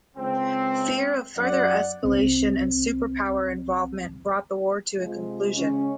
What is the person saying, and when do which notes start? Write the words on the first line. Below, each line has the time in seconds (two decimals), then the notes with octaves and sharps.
Fear of further escalation and superpower involvement brought the war to a conclusion.
0.16 C#2 C4
1.36 F#2 D5 F#5
2.03 C2 C4
4.97 C3 G#3 F4
5.55 C#3 G#3 C#4